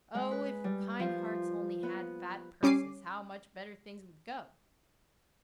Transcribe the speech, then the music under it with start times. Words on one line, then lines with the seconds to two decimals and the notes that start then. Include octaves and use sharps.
Oh, if the kind hearts only had fat purses, how much better things would go!
0.15 G#3
0.31 B4
0.64 G3
0.99 F3
1.83 B3
2.63 G3 C#4 D6 C7 D#7